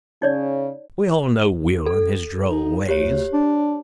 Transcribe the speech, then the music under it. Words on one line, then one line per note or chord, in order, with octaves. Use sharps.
"We all know Will and his droll ways."
C#3 C#4 D#4 C#5 D5
A4
D#4
D2 G4 C#5
D4